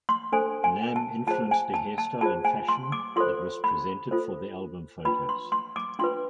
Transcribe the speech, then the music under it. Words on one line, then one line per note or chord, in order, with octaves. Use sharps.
Nam influenced the hairstyle and fashion that was presented for the album photos.
C6
D4 A4 C5 G#5
G#5
A5
F4 G#4 C5 A5
G#5
A5
A5
F4 G#4 C5 A5
G#5
C6
D6
F4 A4 C5 C6
B5
F4 A4 C5
D4 F4 B4 B5
C6
C6
D6
D4 F4 B4 C6